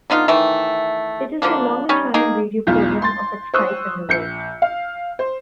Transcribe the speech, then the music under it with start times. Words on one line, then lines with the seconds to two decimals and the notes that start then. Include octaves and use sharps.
It is the longest-running radio program of its type in the world.
0.10 D3 B3 D#4 F4
0.28 D#3 E3 A3
1.42 D3 F3 A#3 D4
1.89 G3 C#4 D#4
2.14 A#3 D#4 G#4
2.67 B1 E2 F4 G6
3.02 C6 A6
3.54 C5 C#6 D#6 E6 F#6
4.09 A#1 G6 C#7
4.62 F5
5.19 C5